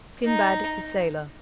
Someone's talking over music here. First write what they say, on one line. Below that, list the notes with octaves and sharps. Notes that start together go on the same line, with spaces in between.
"Sinbad the Sailor."
D#4